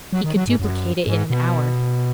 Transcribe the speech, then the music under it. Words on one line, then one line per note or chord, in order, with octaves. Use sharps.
He could duplicate it in an hour.
F#3
D#3
F#3
G#2
F#2
G#2
B2